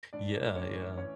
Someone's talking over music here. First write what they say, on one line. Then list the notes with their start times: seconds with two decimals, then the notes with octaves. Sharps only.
Yeah, yeah.
0.13 A2 D4 D5
0.41 A2
0.55 C#4 C#5
0.69 E3
0.97 E3 C#4 C#5